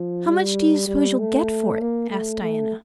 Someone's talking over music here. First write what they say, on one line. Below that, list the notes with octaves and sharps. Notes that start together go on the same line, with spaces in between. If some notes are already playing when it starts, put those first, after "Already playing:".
"How much do you suppose you'll get for it?" asked Diana.
Already playing: F3
G3
G3
A3
A#3
A3
A3